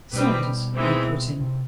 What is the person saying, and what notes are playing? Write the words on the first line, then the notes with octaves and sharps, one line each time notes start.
"Saunders," I put in.
B2 G3 C4 D#4 G4 B4
E3 G#3 C4 D#4
C3